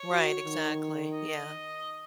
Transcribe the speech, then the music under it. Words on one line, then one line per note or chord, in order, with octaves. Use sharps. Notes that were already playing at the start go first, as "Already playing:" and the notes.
Right, exactly, yeah.
Already playing: C#5
F#4
D#3
D#5